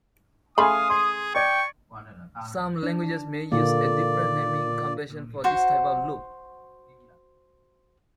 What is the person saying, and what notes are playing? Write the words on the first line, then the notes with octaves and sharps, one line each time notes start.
Some languages may use a different naming convention for this type of loop.
C#3 A3 F5 G#5 B5 C6 D#6
G#4 C6
D5 G5 C#6 G#6
D4
A#2 D3 A#3 D5
F#4 C5 F#5